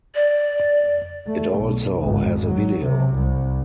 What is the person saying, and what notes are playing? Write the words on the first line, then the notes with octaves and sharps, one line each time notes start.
It also has a video.
D5
A3
B1
G#1
F#3
C3
C2